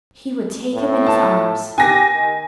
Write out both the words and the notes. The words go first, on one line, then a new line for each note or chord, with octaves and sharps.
He would take him in his arms.
A2
A5
G4 G#5 A#6
D#3